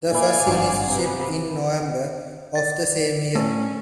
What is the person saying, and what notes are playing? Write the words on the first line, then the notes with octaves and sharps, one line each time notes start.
The first units shipped in November of the same year.
A#2 E4 D5 F5 G#5
G#1 G2 F#3
C3 B3
D5 A6
A2 C#4